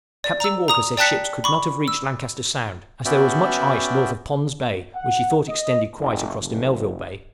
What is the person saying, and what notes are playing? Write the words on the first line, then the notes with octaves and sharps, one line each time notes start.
Captain Walker says ships could not have reached Lancaster Sound, as there was much ice north of Pond's Bay which he thought extended quite across to Melville Bay.
D5
A#5 E6
A#5 D#6 F7
D5 G5 A5 F#6 B6 C#7
B5 C#6 D6
E6
B3 C#4 F#4 D5 E5 G5
F#5
D#5
F#1
F#1